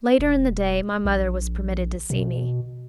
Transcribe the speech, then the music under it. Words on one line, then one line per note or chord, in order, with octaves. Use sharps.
Later in the day, my mother was permitted to see me.
E1
A#1
B2